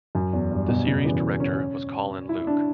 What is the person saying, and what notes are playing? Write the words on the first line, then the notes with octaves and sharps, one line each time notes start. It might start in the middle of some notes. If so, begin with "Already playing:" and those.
The series director was Colin Luke.
F#2
E2
G2
B2
C#3
E3
C#4
E4
D4